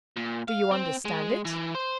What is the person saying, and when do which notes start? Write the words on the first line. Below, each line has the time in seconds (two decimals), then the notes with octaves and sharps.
"Do you understand it?"
0.16 A#2
0.48 F5
0.71 C4
1.05 G#3
1.45 E3
1.75 C5